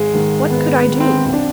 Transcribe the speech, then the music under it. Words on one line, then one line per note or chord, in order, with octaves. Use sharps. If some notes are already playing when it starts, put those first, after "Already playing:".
What could I do?
Already playing: G#1 G#3
G#2 D#3
G#1 B3
B3
G#2 D#3
C4
B1 C4
D4